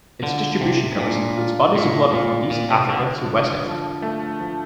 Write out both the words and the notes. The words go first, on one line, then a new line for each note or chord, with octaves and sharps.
Its distribution covers includes bodies of water from East Africa to West Africa.
D3 F4
C3 D4
A#2 D4
F4
A2 F4
A#2 F4
A#2 A#3
C3
D3 A4
D3
F3
A3
F3